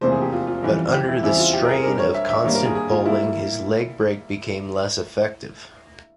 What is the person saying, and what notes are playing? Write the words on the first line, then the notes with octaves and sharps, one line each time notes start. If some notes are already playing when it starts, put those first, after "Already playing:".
But under the strain of constant bowling, his leg break became less effective.
F1 E2 C3 E3 A#3 C5
G#4
G4
F4
F4
F2 C#3 E3 G3
G4
E4
E2 C#3 G3 C4 E4
F4
G4
A#4
G#4
G2 G3 C4 A#4
C#5
E5
E5
G#1 G2 G3 A#3 C#5
A#4
G#4
G#4
F4
G3 A#3 E4